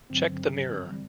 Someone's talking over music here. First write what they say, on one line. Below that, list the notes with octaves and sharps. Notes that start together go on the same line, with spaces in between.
Check the mirror.
G2 D3 F#3 C4
E3 G3